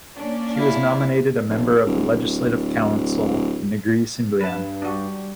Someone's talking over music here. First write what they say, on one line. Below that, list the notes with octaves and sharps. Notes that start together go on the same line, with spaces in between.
She was nominated a member of the Legislative Council in Negri Sembilan.
A#3 C#4 D4
E4 F5
F1
D1
G2 B4 A5
G3 D4 F#4